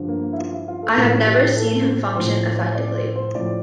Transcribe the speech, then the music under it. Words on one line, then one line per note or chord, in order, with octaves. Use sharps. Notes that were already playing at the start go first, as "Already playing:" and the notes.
I have never seen him function effectively.
Already playing: G2 D3 F3
A#3
E4
F4
E4
F4
A4
A2 F3 A#4
G4
A4
C5
A2 F3 C5
C5
D5
C5
C5
A2 F3 D5